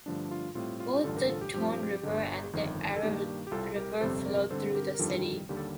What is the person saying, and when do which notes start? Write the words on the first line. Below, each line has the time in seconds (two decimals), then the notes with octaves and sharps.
Both the Tone River and the Ara River flow through the city.
0.06 G2 D3 F3 A3 D4
0.31 F4
0.55 A2 G3 C4 F4
0.80 F4
0.96 G4
1.04 A1 G2 D3 F4 A4
1.17 G4 A#4
1.29 F4 A4
1.41 G4
1.54 G2 F3 C4 G4
1.63 F4
1.72 G4
2.03 G1 G2 D3
2.53 G1 F2 D#3
2.96 A4
3.03 G2 D#3 A#3 D4 G4
3.47 G4
3.51 C2 C3 G3 F4 A4
3.76 G4 A#4
4.01 G1 F2 C3 G3 C4 A4 C5
4.26 A#4 D5
4.50 G2 D3 G3 C4 A4 C5
4.75 G4 A#4
4.94 A#4
4.99 G1 F2 D#3 G3 D4 F4 A4
5.49 D#2 D3 G3 A#3 G4
5.57 A4